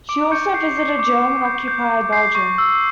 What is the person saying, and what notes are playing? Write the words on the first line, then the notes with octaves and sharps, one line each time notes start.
She also visited German-occupied Belgium.
D6 D7
C#6 G6 C#7
G6 C7
G6 C7
D6
D6
G6
G6
G6
G6 C7
C#6
E6